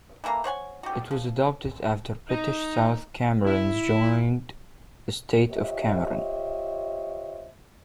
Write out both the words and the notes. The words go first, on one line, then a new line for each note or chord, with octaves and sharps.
It was adopted after British South Cameroon's joined the State of Cameroon.
E3 A3 A#3 A#5
C5 C#5 F#5 G#5
F#4 G4
F3
D#4
E4
F4 G4 C5 C#5 D#5 E5